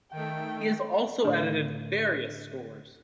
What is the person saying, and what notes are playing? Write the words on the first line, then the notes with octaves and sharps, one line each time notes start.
He has also edited various scores.
D#3 A3 G5
A2 D3